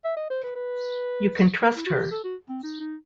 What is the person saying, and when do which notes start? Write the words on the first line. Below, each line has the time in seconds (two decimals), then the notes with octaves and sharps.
You can trust her.
0.04 E5
0.17 D#5
0.30 C5
0.43 B4
0.55 B4
1.76 E4
1.86 F#4
1.94 G4
2.11 A4
2.24 F#4
2.49 C4
2.63 D#4
2.80 D#4